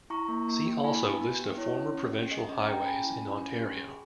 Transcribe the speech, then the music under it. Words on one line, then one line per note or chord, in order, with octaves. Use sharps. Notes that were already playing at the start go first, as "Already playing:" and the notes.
See also List of former provincial highways in Ontario.
E4 A#5 C#6
A#3
A#3
G4
E4 G#5 B5
B3
B3
G4
E4 C#5
C#4
C#4
G4
G#4 D#5
C#4 D#5
G#4 G5 A#5
C#4 G#5 B5
E4
C#4
C#4
G4
G#4